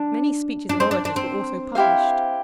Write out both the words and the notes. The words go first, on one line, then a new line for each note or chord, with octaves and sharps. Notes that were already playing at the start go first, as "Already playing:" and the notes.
Many speeches of orators were also published.
Already playing: D4
D4
C4
D4
D4
C4
E4 G4 C5 F5